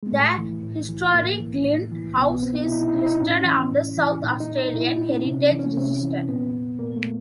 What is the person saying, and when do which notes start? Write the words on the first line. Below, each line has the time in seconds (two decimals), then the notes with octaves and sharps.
The historic Glynde House is listed on the South Australian Heritage Register.
0.03 G#3
0.12 A2 A3
0.38 E3
0.63 A2
0.88 E3
1.14 A2 A#3
1.40 E3
1.66 A2
1.92 E3
2.17 B2 B3
2.30 B3
2.43 C4
2.55 D#4
2.64 E4
2.68 B2 D#4
2.81 E4
2.89 D#4
2.98 E4
3.06 D#4
3.20 A2 C#4
3.45 E3
3.71 A2
3.97 E3
4.22 A#2 D#4
4.40 D#4
4.58 D#4
4.74 A#2 E4
4.91 D#4
5.09 C#4
5.25 C3 C4
5.43 C#4
5.52 E3
5.59 C#4
5.77 C3 C4
6.03 E3
6.29 A#2 B3
6.79 A#2 A#3
6.96 A3